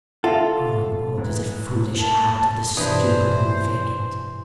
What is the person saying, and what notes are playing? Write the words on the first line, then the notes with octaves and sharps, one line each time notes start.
'Growing old is a foolish habit of the stupid and the vacant.
F4 A4 E5 F#5
G#2 E3
A#3 A5
G2 B2 E3 D4 C5